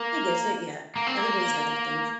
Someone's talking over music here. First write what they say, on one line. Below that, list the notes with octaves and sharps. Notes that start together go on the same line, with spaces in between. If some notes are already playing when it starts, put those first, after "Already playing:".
I get you, yeah. Everybody's got their things.
Already playing: A#3
A#3
C4
A#3